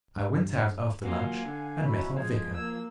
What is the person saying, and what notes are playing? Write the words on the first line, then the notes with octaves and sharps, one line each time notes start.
I went out after lunch, and met our Vicar.
G2
F#3 A#3 F4 F5 F#5 G#5
D3
B2 F#3 C#4 E4 F#4 B5
F3 G#3 G#6
A#3 E6